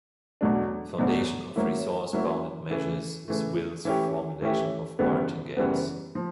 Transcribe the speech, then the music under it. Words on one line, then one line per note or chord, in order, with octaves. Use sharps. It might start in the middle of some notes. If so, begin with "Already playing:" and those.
The foundation of resource-bounded measure is Ville's formulation of martingales.
E2 B2 F#3 A3 D4
E2 B2 F#3 A3 D4
F#3 A#3 C#4 E4
F#3 A#3 C#4 E4
C#3 E3 A3
C#3 E3 A3
E3 A3 C#4 E4 G4
E3 A3 C#4 E4 G4
F#2 C#3 E3 G3 B3
F#2 C#3 E3 G3 B3
F3